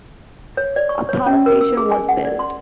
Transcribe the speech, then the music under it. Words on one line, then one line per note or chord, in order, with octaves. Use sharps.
A power station was built.
C#5
D5
C#6
C#5
C#4
A#4
E6
G#4
G#5
F#5
D5
C6